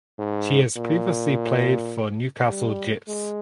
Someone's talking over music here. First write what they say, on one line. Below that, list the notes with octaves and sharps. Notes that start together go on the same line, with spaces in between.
She has previously played for Newcastle Jets.
G#2
A#2
G3
G#3